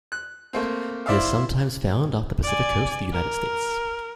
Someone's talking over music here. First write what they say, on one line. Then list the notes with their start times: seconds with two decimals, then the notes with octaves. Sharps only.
It is sometimes found off the Pacific coast of the United States.
0.12 F#6
0.53 A3 A#3 C4
1.06 E4 C5 D5 E5 F5
2.43 D5 G#5
3.12 A#4